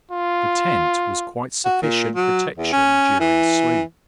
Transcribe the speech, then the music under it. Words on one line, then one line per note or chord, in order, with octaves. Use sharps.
The tent was quite sufficient protection during sleep.
F4
F#4
A#2
F#3
E2
C#4
E3